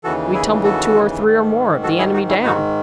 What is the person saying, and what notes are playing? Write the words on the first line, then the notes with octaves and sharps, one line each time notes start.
We tumbled two or three, or more, of the enemy down.
D#2 C#3 E3 F#4 A4
E4 G#4
F#4 A4
G#2 D#3
F#4 A4
E4 G#4
D#4 F#4
C#4 E4
G#2 D#3 D#4 F#4